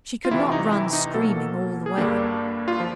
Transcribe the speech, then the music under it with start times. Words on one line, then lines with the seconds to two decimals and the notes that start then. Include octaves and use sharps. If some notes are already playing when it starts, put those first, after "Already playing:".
She could not run screaming all the way.
0.25 F4
0.31 D2 C3 E3 E4
0.52 D#4
0.72 E4
0.93 D#4
1.14 B2 F#3 A#3 A4
1.86 G#4
1.97 G2 D3 G3 A#3 D4 G4
2.68 F4
2.80 F3